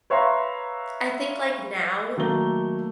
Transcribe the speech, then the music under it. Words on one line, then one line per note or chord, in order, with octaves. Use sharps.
I think, like, now,
B4 C#5 E5 F5 A#5 C6
D#3 F#3 A3 A#3 G7